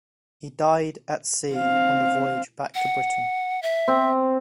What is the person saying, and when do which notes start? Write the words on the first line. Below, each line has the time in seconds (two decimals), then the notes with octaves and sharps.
He died at sea on the voyage back to Britain.
1.53 C4 F5
2.75 F#5
3.62 E5
3.88 C4